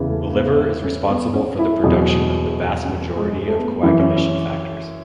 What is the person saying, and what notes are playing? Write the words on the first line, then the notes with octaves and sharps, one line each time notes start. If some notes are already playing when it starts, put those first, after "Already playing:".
The liver is responsible for the production of the vast majority of coagulation factors.
Already playing: E2 C#3 E3
A3
B3
C#4
B3
C#4
E4
E2 B2 F#3 G#4
G#4
C#4
G#3
A3
B3
F#2 E3 E4
C#4
C#4